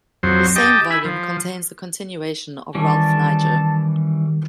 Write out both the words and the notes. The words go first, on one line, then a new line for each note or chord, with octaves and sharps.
The same volume contains the continuation of Ralph Niger.
F2 F#3 C5
G4 D#5 G5 A5
E4 G#5 B5
F3
D#3 E3 G3 C#4 A5